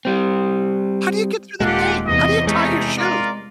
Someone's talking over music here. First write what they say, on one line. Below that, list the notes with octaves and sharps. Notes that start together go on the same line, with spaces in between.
“How do you get through the day? How do you tie your shoes?”
G3 C4
D#1 A#2 G#3 F4 G4 A4 F#5
E2 C3 D#5
G#3 A3 C#4 D#4
F4 A#4 D5